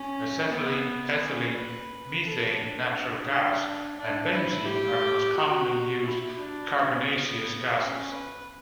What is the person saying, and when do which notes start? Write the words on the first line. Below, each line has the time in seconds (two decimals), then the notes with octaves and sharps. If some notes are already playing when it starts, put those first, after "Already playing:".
Acetylene, ethylene, methane, natural gas, and benzene are the most commonly used carbonaceous gases.
Already playing: C#4
0.50 B3
1.19 C#4
1.54 B4
2.23 A4
2.58 D4
3.28 D4
3.96 D4
4.32 E4
4.65 G4
5.35 F#4
6.04 E4
6.39 D4
6.73 C#4
7.08 B3
7.77 C#4
8.11 B4